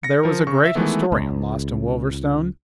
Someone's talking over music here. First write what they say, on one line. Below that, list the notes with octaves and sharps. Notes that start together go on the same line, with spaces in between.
There was a great historian lost in Wolverstone.
A#6 C#7
F3 A#4
C#3 C#6
E5 E6
D#3 E3 G#3 A3 B3
C#2